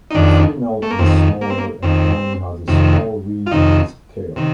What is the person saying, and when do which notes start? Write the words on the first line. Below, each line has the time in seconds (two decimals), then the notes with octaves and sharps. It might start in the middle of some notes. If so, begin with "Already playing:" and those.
The female is smaller and only has a small ridge on its tail.
0.11 D#4
0.14 F2 D#3 D4
0.82 A3
0.91 A#3
0.99 F2 D#3 C4
1.41 A#3
1.50 C4
1.58 A#3
1.82 F2 D#3 C4
2.68 F2 C3 D#3
3.46 F4
3.51 F2 C3 D#3 D#4
4.36 C3 D#3